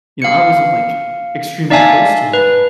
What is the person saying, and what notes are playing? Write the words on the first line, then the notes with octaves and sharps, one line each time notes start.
you know, I wasn't, like, extremely close to her,
F5 C#7
D#4 D5 E5 F5 G#5 A5
B4